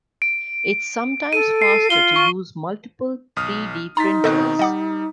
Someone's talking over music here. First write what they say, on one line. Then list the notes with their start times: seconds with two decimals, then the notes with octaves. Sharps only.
It's sometimes faster to use multiple three-d printers.
0.22 D7
1.33 A4 D#7
1.62 C7
1.90 F4 G7
2.16 C#6
3.36 B1 D#6 F6
3.97 D#4 A#5 C6 A6 B6
4.24 B2 D#3 C4 A4 D#5 F#6
4.59 G3 D#5 F#5 D6